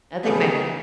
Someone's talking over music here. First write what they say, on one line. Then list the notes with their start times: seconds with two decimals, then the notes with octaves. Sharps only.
I think my
0.23 C#3 E3 F3 G3 A3 B3